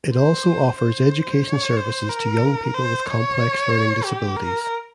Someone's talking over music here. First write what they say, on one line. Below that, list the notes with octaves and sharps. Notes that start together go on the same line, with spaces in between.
It also offers education services to young people with complex learning disabilities.
C5
C5
C#5
C5
A#4
C5
C#5
G4
A#4